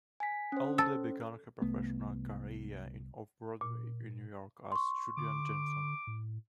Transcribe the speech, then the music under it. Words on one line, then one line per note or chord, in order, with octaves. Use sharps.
Elder began her professional career in off-Broadway in New York as "Judyann Jonsson".
G#5 B6
C#4 C5
A4
C2 A3 B3
A#2
C6 C#6
D3 D6
A2